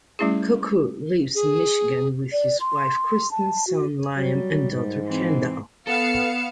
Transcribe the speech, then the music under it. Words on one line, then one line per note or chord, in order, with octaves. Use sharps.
Kocur lives in Michigan with his wife Kristen, son Liam, and daughter Kendall.
G3 A3 C#4 E4 G#4
G#4
D5
C6
A5
F#4
F#3 G3
G#2
E3 C4
B3 A4 F5 C#7 E7